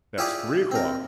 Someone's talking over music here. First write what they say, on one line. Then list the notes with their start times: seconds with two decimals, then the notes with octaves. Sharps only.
That's three o'clock.
0.18 E4 F4 G4 G#4 D5
0.71 C4 A#4